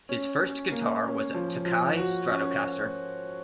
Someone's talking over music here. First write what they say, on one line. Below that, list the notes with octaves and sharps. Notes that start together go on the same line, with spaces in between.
His first guitar was a "Tokai Stratocaster".
C#4
C#4
A#3
C#4
F3
F3
F#4
C#4